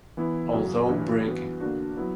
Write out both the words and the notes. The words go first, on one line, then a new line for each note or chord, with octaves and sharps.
Although Brig.
E3 B3 E4
F#2 C#3 F#3 C#4
G2 E3 G3 C#4 E4
E3 B3 F#4
D3 A#3 D4 F#4
F#3 B3 E4 B4